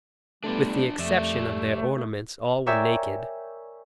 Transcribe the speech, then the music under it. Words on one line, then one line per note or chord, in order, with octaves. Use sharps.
With the exception of their ornaments all were naked.
G3 A3 B3 D4 F4 D5
F2 A3 G4 D5 E5
A#4 C#5 D5 E5 G5 G#5